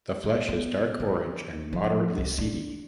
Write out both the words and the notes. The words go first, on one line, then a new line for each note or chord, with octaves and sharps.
The flesh is dark orange and moderately seedy.
D3
B3
D3
F3
C2
D4